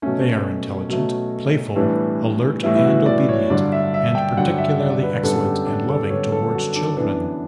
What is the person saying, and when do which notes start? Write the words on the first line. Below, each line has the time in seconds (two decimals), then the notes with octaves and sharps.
They are intelligent, playful, alert, and obedient, and particularly excellent and loving toward children.
0.02 B2 F#3 A3 C#4
0.89 B2 F#3 A3
1.76 A2 E3 G3 B3 D4
2.63 A2 E3 G3 B3 E4
2.75 E4
2.85 F#4
3.06 D5
3.29 C#5
3.50 G2 D3 F#3 D5
3.72 E5
3.94 E5
4.15 G5
4.37 G2 D3 F#3 F#5
4.58 E5
4.80 D5
5.02 B4
5.23 F#2 D3 G3 B3 A4
5.45 G4
5.66 D4
5.88 A4
6.10 F#2 D3 G3 B3 C#5
6.32 A4
6.55 F#4
6.76 D4
6.97 F#2 E3 B3 D4